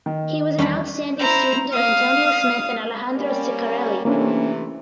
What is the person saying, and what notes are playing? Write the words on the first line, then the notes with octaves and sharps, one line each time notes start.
He was an outstanding student of Antonio Smith and Alejandro Ciccarelli.
D#3
E2 G3 C#4 D4 D5 B5
E4 C5 A#5
F5 D#6
G3 A#3 C#4
C3 E3 A3 A#3 C#4 D4